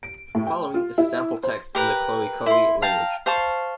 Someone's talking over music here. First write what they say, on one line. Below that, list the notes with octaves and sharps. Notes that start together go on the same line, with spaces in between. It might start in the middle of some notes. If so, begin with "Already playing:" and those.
Following is a sample text in the Khoekhoe language.
D7
A2
G5
F4
E4
C5
G4 A#4 B4
E4 C6
F5 G5 A5 A#5
C5 F5 A5 C#6